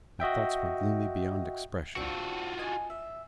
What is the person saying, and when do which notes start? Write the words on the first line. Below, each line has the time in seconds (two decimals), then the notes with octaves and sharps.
My thots were gloomy beyond expression.
0.20 F#4 D#5 E5 G5
1.96 C4 D4 F4 F#4
2.58 D#5 G#5
2.90 E5